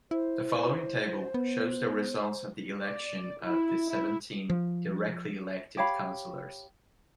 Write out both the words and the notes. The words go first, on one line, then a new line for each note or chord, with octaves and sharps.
The following table shows the results of the election of the seventeen directly-elected councillors.
E4 C5
B3
D5
E4
E4
F3
G4 C#5 F5 B5